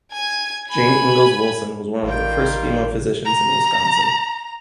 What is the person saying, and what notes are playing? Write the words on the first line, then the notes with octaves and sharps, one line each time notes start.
Jane Ingalls Wilson was one of the first female physicians in Wisconsin.
G#5 G#6
G#5 B5
A1 D#3 G3 F4 A#4 G5
A#5